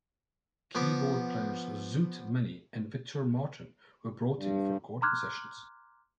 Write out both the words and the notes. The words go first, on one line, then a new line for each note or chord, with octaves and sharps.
Keyboard players Zoot Money and Victor Martin were brought in for recording sessions.
F3 B3 D6
G2
A#5 C6 D6 F6 F#6 G#6